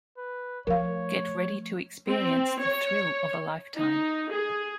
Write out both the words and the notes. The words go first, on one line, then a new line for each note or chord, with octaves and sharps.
Get ready to experience the thrill of a lifetime.
B4
F3 A3 A#4 C#5 F5
C4
C#5
D#4
G#4